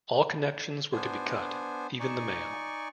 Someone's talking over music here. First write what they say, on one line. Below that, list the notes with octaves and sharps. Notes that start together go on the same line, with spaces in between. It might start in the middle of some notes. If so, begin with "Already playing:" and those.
All connections were to be cut, even the mail.
B3 D4 C5 G#5
D#4 D5 G#5 C#6